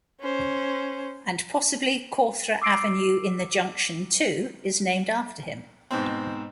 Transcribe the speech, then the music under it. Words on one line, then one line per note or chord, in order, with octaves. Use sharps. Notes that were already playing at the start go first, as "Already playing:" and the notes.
And possibly Cawthra Avenue in the Junction too, is named after him.
C#4 C5
D6 E6 C7 D7
G#2 B2 C4